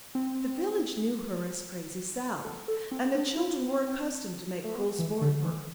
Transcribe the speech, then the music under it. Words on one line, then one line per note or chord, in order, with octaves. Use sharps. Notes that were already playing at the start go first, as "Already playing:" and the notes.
The village knew her as Crazy Sal, and the children were accustomed to make cruel sport of her.
C4
A4
A4
C4
D4
E4
C4
A3
B3
E3
D3
E3